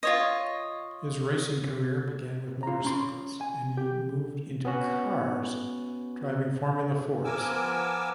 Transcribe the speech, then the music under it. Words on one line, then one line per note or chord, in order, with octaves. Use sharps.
His racing career began with motorcycles and he moved into cars driving Formula Fords.
F4 C#5 D#5
F4 A#5
C#4 B5 C6
G#5
G4
B3 C#4 F#4
F3 B3 A#4 G#5 D6 E6